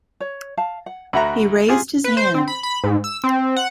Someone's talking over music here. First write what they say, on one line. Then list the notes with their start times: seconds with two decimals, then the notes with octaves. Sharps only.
He raised his hand.
0.20 C#5
0.57 F5 A5
0.86 F#5
1.13 D2 F#4 E5 A#5 B5
1.68 F4 G4 G#4
2.04 B4
2.17 C5
2.34 C4
2.48 B5
2.63 B5
2.84 G#2
3.04 E6
3.24 C4
3.56 F#5